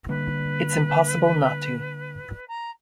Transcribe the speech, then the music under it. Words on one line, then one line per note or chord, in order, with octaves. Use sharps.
It's impossible not to.
D3 G3 A#3 B4
A#5